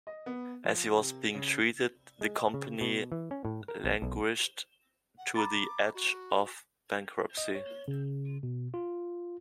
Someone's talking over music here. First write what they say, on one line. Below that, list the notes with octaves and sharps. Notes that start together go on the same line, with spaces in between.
As he was being treated, the company languished to the edge of bankruptcy.
D#5
B3
F3
C3
C#3
G#3
D#5
C#3
B2
E3
C#4
A2
A#4
B1
B1
F#5
A#5 B5 D6 A6
F#4
D#5
C#5
C#3
B2
F4